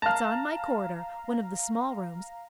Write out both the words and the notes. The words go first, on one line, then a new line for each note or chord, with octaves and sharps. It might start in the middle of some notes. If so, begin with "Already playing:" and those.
It's on my corridor--one of the small rooms.
F5 A5 A#5 F6